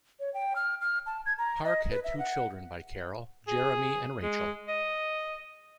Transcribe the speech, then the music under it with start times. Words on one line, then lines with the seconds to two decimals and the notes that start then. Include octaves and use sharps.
Park had two children by Carol, Jeremy and Rachael.
0.20 C#5
0.34 G5
0.56 F6
0.81 F6
1.06 A5
1.26 G#6
1.38 A#5
1.64 D#5
1.91 B4
2.04 E5
2.19 F#5
3.48 G#4
4.23 G#3
4.68 D#5